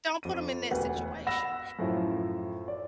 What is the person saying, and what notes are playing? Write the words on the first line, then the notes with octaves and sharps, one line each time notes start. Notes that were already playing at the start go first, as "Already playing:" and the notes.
don't put them in that situation,
F2 D#7
E1 D2 G4 B4 F#5
F#5 B5 E6 A#6 E7
F#2 A2 F3 E4
D5